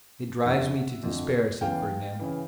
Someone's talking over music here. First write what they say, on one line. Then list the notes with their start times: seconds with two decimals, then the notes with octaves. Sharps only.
"It drives me to despair," said Fernand.
0.45 F2 D3 F3 E5 F#5
1.03 F2 D3 F3
1.61 E2 C#3 E3 F5 G5
2.19 C#3 E3